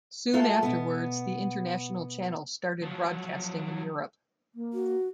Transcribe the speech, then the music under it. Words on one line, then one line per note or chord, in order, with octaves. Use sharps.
Soon afterwards, the international channel started broadcasting in Europe.
A3 F4 F#4 A4 A#4
B2 B3
F3 F#3
A#3
F#4